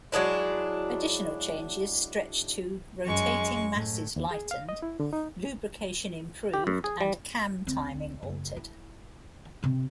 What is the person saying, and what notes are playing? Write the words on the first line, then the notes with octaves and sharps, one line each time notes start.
Additional changes stretch to "rotating masses lightened, lubrication improved and cam timing altered".
F#3 G#3 D4 E4
F#2 G#3 C#6
A2
D#2
G#4
F5
D#5
E4
D3
D#4
G4
F#2
G#4
G3
D2 C4
F#1
E4
C3 C4